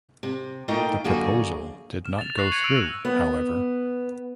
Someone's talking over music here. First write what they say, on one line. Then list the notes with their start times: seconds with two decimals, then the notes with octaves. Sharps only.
The proposal did not go through however.
0.23 C3
0.68 A#2 A3 D#4 F4 D#5 G5
1.04 F#2 D3 A#3 F#4 G#4
2.05 F6 E7
2.19 A6 F7
2.38 C#6 F#6 A#6 C7 F#7
2.52 F#6 G#6 C7 C#7 D#7 F7
2.64 C#6 E6 D7 D#7 F7 F#7
3.05 B3